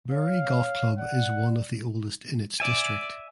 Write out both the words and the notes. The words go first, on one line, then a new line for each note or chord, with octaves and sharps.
Bury Golf Club is one of the oldest in its district.
C#5 F5
D5 F#5
D5 E5 G#5